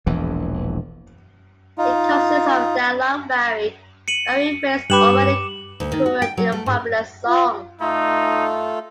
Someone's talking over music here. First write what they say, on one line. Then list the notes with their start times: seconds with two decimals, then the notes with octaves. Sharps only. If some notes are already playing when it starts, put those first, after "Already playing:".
It consists of dialogue varied by refrains already current in popular song.
0.06 E1 A#1 E2 E3
1.78 D#4 F4
4.08 C#7 D#7 F#7
4.90 G2 G4 B4 D6 E7 F#7
5.80 D2
5.92 D#3
6.06 F#4
6.22 G5
6.37 F#3
6.52 A3
6.66 G#2
7.27 F4
7.80 A3 D#4 F4 A4